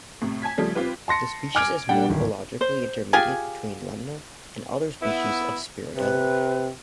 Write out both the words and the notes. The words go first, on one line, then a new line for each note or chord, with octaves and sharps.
The species is morphologically intermediate between "Lemna" and other species of "Spirodela".
A2 C3
G#5 A5 G#6 B6
C#3 F3 G3 A3
C4 F4 G4 B4
A5 C6 A#6 C#7
G#5 D6 F6 G#6 D7
G3 D4 F#5 G5
D1 G#1
C5
F4 G4 G#4 G#5
B3 E4
C3 B4